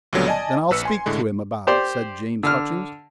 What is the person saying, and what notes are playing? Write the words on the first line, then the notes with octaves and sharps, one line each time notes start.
"Then I'll speak to him about it," said James Hutchings.
C#2 A#2 D3 F#3 G3 B3
D5 D#5 G#5 A5
A#1 B4 E6 C#7
G#5 C6
A2 D3 G#3
G4 C5 D5
D3 F6